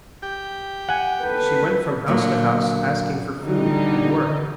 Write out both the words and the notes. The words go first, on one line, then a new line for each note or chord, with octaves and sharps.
She went from house to house asking for food and work.
G4 G5
F#5 G#5
A4 B4
A#2 D3 F#3 A#3 B3
D3 E3 G3 D#4